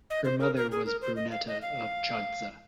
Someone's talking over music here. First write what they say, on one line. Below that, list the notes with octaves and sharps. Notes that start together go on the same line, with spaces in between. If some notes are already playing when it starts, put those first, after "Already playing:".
Her mother was Bruneta of Chodcza.
D#5
C5
A#4
A#4
G#4
A#4
C5
D#5
F5
D#5
F5